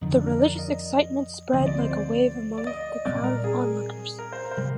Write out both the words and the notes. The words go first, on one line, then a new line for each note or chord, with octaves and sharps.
The religious excitement spread like a wave among the crowd of onlookers.
F2 D3 F3 D#4
D4
A#4
D5
D#5
D2 D3 F3 C4 D#5
D5
C5
D5
D5
D#5
A#2 G3 C4 D5
A#4
G#4
A#4
C5
A#4
C5
C3 G3 A#4